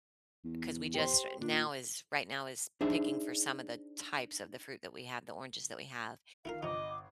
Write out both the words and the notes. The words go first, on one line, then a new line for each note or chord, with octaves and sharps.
'cause we just now is right now is picking for some of the types of the fruit that we have the oranges that we have,
E2
G4 C5
A#2 D4
D4 D#4 G#4 C5 E5
D#3 E4 F4 A#4 F5
G1 C3 F4 D#5 D6